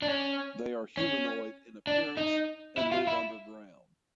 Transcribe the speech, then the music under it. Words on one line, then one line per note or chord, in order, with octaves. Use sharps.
They are humanoid in appearance and live underground.
D4
C#4
C#4
D4
D#4
E4
F4
E4